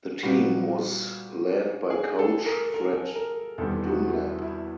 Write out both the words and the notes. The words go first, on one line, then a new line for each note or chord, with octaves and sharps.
The team was led by coach Fred Dunlap.
A#2 G3 B3 F#4
G#4
A4
A#4
A#4
A#4
E2 C3 D#3 G3 A4
F#4
E4
E4